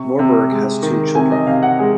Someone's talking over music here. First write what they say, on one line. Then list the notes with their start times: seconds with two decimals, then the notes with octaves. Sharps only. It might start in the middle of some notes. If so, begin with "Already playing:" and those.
Norberg has two children.
Already playing: C3 C#6
0.19 C3
0.51 G#3
0.82 D#3
1.15 C3 G#5
1.32 D#5
1.47 C3 F5
1.63 F#5
1.79 G#3